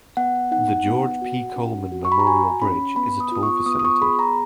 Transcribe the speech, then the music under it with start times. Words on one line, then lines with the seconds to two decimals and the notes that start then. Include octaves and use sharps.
The George P. Coleman Memorial Bridge is a toll facility.
0.17 B3 F#5
0.51 D#4 F#5
0.86 B3
1.22 F#4
1.56 C#4
1.92 F#4
2.05 C#6
2.12 B5
2.20 A#5
2.26 F#4 G#5
2.62 C#4 B5
2.96 B3 B5
3.20 D#6
3.32 F4 D#6
3.43 C#6
3.66 B3 D#6
3.79 D#6
3.85 C#6
4.01 G#4 B5
4.19 A#5